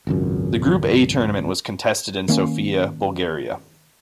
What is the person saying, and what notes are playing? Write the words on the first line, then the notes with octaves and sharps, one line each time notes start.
The Group A tournament was contested in Sofia, Bulgaria.
G#1 C#2 F#2
D#3 A#3 B3 C#4